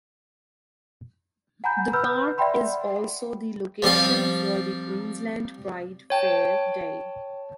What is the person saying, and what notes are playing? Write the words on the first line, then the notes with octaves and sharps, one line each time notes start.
The park is also the location for the Queensland Pride fair day.
F#5 G#5 A#5 B5 G6
B4 B5 E6 F6 G6
D5 E5 F#5 G5 B5 C6
F3 G3 C4 F5
C#5 G5 A5